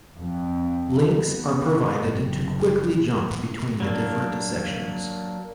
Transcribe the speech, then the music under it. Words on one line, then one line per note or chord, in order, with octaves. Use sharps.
Links are provided to quickly jump between the different sections.
F2
B3
F#1
F#3 A#3 D4